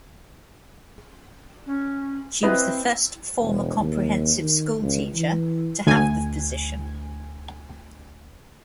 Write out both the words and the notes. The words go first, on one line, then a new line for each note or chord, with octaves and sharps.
She was the first former comprehensive school teacher to have the position.
C#4
C4 E4 B4 D#5
E1
D#2
D#3
C#2
E3
D2 G#5